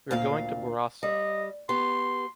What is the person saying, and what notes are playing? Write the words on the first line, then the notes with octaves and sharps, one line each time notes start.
We are going to Borrassà.
D2 A#2 F5
G3 D#5
B3 G4 C6